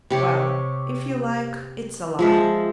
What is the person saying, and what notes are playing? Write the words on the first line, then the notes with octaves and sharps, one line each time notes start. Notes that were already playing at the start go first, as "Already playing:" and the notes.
Well, if you like, it's a lie.
C3 G4 C#5
F3 G#3 E5